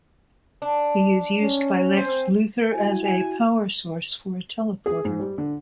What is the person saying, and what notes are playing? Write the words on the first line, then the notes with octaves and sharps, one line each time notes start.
He is used by Lex Luthor as a power source for a teleporter.
D4
C#4
C4 C5 G#5
E4 F#4 G#5
G#4
G#2
G3
D3